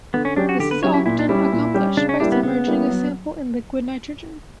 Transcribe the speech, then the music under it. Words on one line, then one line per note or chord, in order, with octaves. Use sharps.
This is often accomplished by submerging a sample in liquid nitrogen.
D3 B3
C#4
F#3 C#4 D4 G4
F#4
D3 G4
B4
F#3 C#4 G4 C#5
E4
A#2 E4
D4
G3 C#4 E4 G4
A#2
G3 C#4 G4
C#3 D4
C#4
G3 A#3 D4 E4 G4
B3
C#3 B3
G3 A#3 E4 G4
F#3